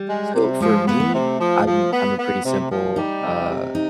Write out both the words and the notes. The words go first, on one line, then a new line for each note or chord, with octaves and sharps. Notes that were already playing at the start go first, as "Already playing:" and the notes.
So, for me, I'm I'm a pretty simple, uh,
Already playing: G3
G#3
C3
F3 G#3
A#3 B3
A3
C3
F3
F3
B3
B3
C3
F3
G3 D#4
C3
C3
D#4